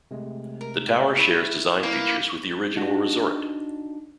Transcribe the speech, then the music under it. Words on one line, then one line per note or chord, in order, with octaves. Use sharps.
The tower shares design features with the original resort.
C3 G#3 A3
A#4
E4 E5 B5 C#6
A#3 E4 B4
D4 D#4 F#4